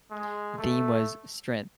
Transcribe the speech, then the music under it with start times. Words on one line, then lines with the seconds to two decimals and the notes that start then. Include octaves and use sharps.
The theme was "strength".
0.11 G#3
0.58 A3